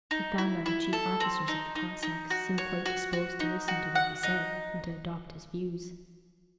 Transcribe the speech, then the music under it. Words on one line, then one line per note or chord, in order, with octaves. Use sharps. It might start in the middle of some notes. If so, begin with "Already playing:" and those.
He found that the chief officers of the Cossacks seemed quite disposed to listen to what he said, and to adopt his views.
D#4
E4
E4
A4
C4
D#4
D#4
D#4
F#4
C#5
F#4
F#4
D#4
F#4
F#5
D#4